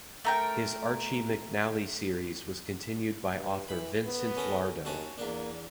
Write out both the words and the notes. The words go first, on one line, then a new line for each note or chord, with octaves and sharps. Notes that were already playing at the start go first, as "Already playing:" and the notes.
His Archy McNally series was continued by author Vincent Lardo.
A3 A#4 G5
G2
E3 B5
B3
C#4 A4 A#4
D#2 C#4 F#4 A5
E2 A#3 D4